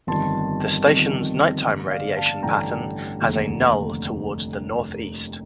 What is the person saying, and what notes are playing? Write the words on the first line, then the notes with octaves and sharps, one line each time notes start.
The station's nighttime radiation pattern has a null toward the northeast.
G1 F2 D#3 G3 A5 C6
G1 F2 D#3 G3
A1 G2 D3 G3
D5 F5
F5 A5
A1 G2 D3 G3 G5 A#5
F1 D#2 D3